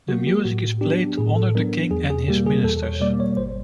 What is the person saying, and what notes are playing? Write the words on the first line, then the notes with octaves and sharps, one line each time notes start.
The music is played to honor the King and his ministers.
F#3 A#3 F#4
G4
A2 F#4
F#3 B3 D4 G4
A2 G#4
A4
F#3 B3 D4 A#4
E2 G#4
G#4
B2 G3 A#3 G4
G#4
E2 A4
C#5
B2 G3 A#3 D5
C#5
G#1 C5